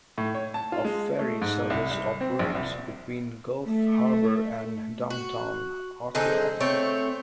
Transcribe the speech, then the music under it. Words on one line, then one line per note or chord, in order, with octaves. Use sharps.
A ferry service operates between Gulf Harbour and downtown Auckland.
A2
C#5
A5
F4
G#3
A3
G#2
C2
C2
C4
A#1
C2
A3
F#4
D3 C4 D#4 G#4
A3 C4 C#5